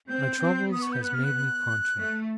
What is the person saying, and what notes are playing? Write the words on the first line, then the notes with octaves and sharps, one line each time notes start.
My troubles has made me contrary.
C4 G6
C4
B3 D#6
C#6
G6
F#6
F6
F#6
A3